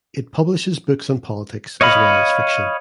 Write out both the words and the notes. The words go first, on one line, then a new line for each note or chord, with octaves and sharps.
It publishes books on politics as well as fiction.
C#5 D#5 F5 B5